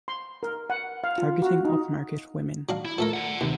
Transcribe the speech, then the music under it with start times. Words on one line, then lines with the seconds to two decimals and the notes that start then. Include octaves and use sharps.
Targeting upmarket women.
0.08 C6
0.43 A#4
0.70 F#5
1.04 F5
1.18 F4
1.42 F#4
1.65 D#4
2.69 F#3 D4 F5
2.85 E4
2.98 F3 A3 A4 A#4
3.14 D5 F#5
3.41 D#2 C3